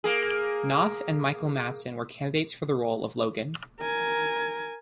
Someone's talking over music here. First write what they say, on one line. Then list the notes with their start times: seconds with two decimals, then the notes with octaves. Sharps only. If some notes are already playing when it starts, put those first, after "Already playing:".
Noth and Michael Madsen were candidates for the role of Logan.
0.04 A#3 G#4
3.80 A#4 G#5